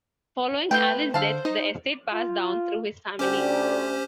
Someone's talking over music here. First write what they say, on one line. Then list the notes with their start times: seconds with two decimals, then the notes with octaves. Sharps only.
Following Allen's death the estate passed down through his family.
0.71 A3 B3 C4 F4 B4 G5 G6
1.14 D3 A4 C5 F5 A5
1.45 D#4 D#5
2.13 F4
3.19 D2 C#4 G4 C5 D5 G5